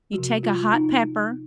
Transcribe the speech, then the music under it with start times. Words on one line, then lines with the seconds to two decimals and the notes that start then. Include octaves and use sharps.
you take a hot pepper
0.13 F3 F#4
0.18 C3
0.43 F4
0.73 D#4